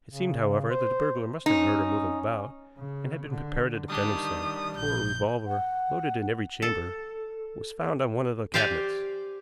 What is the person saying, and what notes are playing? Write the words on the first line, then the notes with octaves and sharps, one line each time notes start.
It seemed, however, that the burglar must have heard her moving about and had been prepared to defend himself, for a revolver, loaded in every chamber, was found on one of the cabinets.
C#3
C5
C#4 D#4
C#3
D3
D#3 G3 D4 G4 D#6
A#1 G6
F#5
A4
G4 C5 D5 F5 G5 G#5